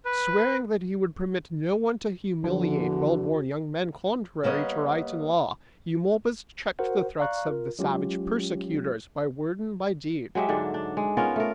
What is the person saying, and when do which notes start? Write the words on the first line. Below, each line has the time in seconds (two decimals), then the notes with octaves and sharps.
Swearing that he would permit no one to humiliate well-born young men contrary to right and law, Eumolpus checked the threats of the savage persecutors by word and by deed.
0.05 B4
2.44 E2 D3 F3 F#4
4.43 G3 A#3 B3 C#5 D#5
6.79 F#4 A#4 C5 F#5
7.19 D5 F5 A#5 C#6 F#6
7.48 F4 A#4
7.79 F#3 G#3 C#4 F4 G4
10.35 F#3 G#3 G4 E5
10.49 G#2 D3 F#3 D4
10.74 D4
10.97 G#3
11.17 B3 C#4 F4 A#4
11.36 A3 A#4